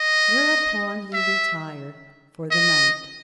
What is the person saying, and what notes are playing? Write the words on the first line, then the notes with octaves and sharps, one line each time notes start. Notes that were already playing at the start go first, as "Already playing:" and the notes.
Whereupon he retired for the night.
Already playing: D#5
E5
D#5